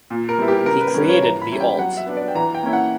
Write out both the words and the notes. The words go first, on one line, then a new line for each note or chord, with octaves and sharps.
He created the alt.
A#2
A#4
G3 B3 E4
G4
C#3 A#4
B4
G3 C#4
B4
C#5
E3 A#5
B5
G3 C#4 E4
G5
F#3 F#5
E5
B3 D4
D5
G5
E3 A#5
G5
A#3 C#4 E4
F#5